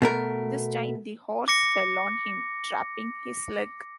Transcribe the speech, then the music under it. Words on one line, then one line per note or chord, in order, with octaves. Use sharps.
This time the horse fell on him, trapping his leg.
B2 A3 A#4
D6 A#6 C#7